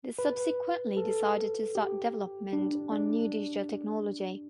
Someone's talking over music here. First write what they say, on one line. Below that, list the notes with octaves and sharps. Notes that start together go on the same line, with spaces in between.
They subsequently decided to start development on new digital technology.
B4
A4
G4
D4
D4